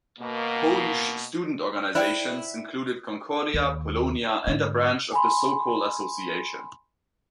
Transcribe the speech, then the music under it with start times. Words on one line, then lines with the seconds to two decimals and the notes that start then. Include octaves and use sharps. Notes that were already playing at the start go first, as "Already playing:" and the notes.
Polish student organizations included Concordia, Polonia, and a branch of the Sokol association.
0.19 B2 A#3
1.95 E4 C5 D5 G5
3.54 D#2
4.47 G#2 D3
5.13 G#5 B5 C6